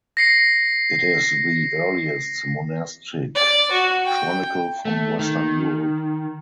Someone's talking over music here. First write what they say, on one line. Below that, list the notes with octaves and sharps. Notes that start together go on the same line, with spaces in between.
It is the earliest monastic chronicle from western Europe.
A#6 C7 C#7
D5
F#4
G5
A3
D#3